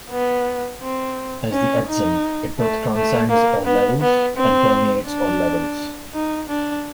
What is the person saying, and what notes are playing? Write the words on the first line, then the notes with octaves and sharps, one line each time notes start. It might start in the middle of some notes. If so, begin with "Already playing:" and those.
As the Etzem, it both transcends all levels, and permeates all levels.
B3
C4
C#4
D#4
A3
A3
A#3
B3
B3
C4
D4
D#4
D4